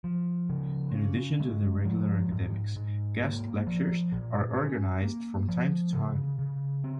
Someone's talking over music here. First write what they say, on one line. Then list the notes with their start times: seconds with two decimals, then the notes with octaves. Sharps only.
In addition to the regular academics, guest lectures are organised from time to time.
0.04 F3
0.49 C#3
0.95 C#4
1.40 G#3
1.85 F3
2.31 G#2
2.76 G#2
3.22 A#3
3.67 F3
4.12 A#2
4.57 C#4
5.03 A#3
5.48 F3
5.93 C#3
6.39 C#3
6.84 C4